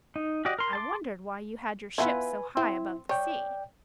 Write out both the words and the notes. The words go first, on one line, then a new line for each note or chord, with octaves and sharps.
"I wondered why you had your ship so high above the sea."
D#4
F#4 G4 D5 D#5
A#4 C6
A5 C6 D6
B3 E4 F4 B4 G#5
C4 E4
C#5 D5 G5